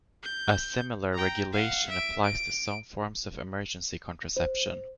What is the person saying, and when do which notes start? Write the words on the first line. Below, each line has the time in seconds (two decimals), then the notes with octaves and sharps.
A similar regulation applies to some forms of emergency contraception.
0.23 G6
1.14 G5 A#5
1.52 F5 F#5
1.89 E5 D7
2.24 D7
4.37 C5